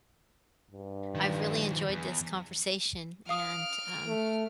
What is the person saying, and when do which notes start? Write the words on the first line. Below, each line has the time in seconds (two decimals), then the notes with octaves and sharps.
I've really enjoyed this conversation, and, um
0.71 G2
1.15 D#3 F3
1.90 E2
3.29 F5 D#6 F6 D7
4.07 A3